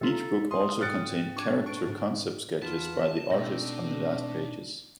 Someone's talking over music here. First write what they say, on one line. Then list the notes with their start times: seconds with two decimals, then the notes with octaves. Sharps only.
Each book also contained character concept sketches by the artists on the last pages.
0.01 C3 F4 A4 A#5
0.51 F#2 C6 D#6
0.81 G#2 F4 G5 F6 F#6 A6 C#7
1.37 D4 C#6 D6 G#6
1.66 C#6 D7
1.86 G#2 D3
2.62 E2 B3 F4 A5
3.31 B2 A3 C4 D4 D#4